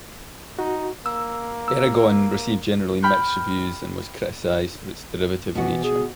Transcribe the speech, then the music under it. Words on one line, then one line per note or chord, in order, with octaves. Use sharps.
"Eragon" received generally mixed reviews and was criticized for its derivative nature.
D#4 F#4
A#3 E6
E6
G5 B5 F6 G6
B2 E3 F#4
G#4